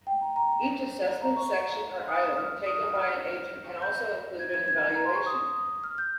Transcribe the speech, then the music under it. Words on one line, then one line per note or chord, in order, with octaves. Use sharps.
Each Assessment, Section, or Item taken by an Agent can also include an "Evaluation".
G5
A#5
A#5
A#5
C#6
D#6
F6
D#6
F6
G6
G#6
G#6
G#6
G#5
A#5
C6
C#6
D#6
F6
G6